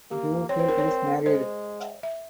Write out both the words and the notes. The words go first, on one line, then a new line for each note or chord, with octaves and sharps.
Duffield is married.
A#3 G4
C4 C#5
C5
A#4
C#5
A#4
G#3 C5
E5